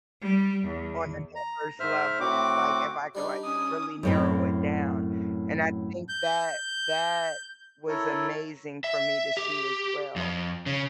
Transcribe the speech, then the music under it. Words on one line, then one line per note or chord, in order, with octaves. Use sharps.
on a diverse level, like, if I could, like, really narrow it down," and I think that that was amazing for me to see as well
G3
E2
A#5
G#2 C5 E5 F6
A2 C4 F#4 D6
G3 D4 D#4 G4
C#4 D#6
F#2 A2 C4
G6
E4 A4 A#4 C#5
E5
G4
F2
C#3